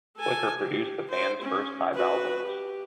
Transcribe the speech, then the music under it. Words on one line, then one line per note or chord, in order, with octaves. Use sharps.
Flicker produced the band's first five albums.
A4 G#5
G4
C5
C#4
F#4 B4
G4